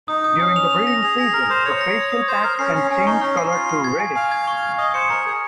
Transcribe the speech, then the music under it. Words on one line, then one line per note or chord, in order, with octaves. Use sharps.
During the breeding season the facial patch can change color to reddish.
D#4 D#6
D#6
C#4 D#6
F7
F7
A#6
G#4 F7
G#4 A#6
A#4 A#6
C5 D#6
C#5 F7
A#6
D#6
D#6
C5 G#6
A#4 G#6
C#4 C7
C#4 C7
C#4 G#5
D#4 C#6
C#4 C#6
C7
F4 C7
C7
G#6
G#5
F5 G#5
G#6
C#6
G#6
D#5 D#6
C5 C#7
A#4 A#5
G#4 G#6